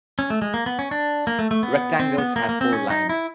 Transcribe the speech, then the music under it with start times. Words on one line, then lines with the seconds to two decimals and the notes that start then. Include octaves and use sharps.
Rectangles have four lines.
0.19 C#4
0.30 A3
0.42 G#3
0.54 A#3
0.66 B3
0.79 C#4
0.91 D4
1.27 A#3
1.39 A3
1.51 A3
1.63 B3
2.00 C4
2.18 B3
2.36 A#3
2.49 A#3
2.61 C4
2.73 C#4
2.90 D#4
3.09 E4